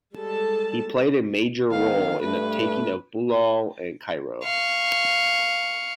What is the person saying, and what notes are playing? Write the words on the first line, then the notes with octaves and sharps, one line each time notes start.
He played a major role in the taking of Bulal and Cairo.
G3 G#3 A4 A5
D#3 B3 F5
G2 A3 B4
F5 C#6